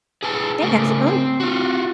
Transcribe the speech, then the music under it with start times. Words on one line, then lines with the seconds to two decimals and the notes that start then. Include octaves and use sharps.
Hey, how's it going?
0.23 G#4 B4 A5
0.62 C#3 A3 A#4
1.06 C4
1.40 F4 F#4